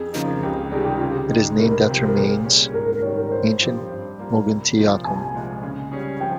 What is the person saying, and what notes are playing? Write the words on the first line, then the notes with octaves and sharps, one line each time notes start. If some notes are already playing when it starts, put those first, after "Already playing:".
It is named after Mainz, ancient "Moguntiacum".
Already playing: F2 G#4
C#3 F3 A#3 D#4
C#2 G4
C3 D#3 G3 G#4
G4
C#3 F4
G4
G#3 D#4
C2 A#4
C3 F3 C4 G4
A#4
A#2 G#4
G3 C#4
G#2 A#4
A#4
D#3 G3 C#5
A#4
G2 C5
F3 C4 G4
G2
G3 A#3 F4
C2
A#2 F3
C2 G#5
A#2 F3 G#3
C#3
G3 C#4 G#4
F3 G5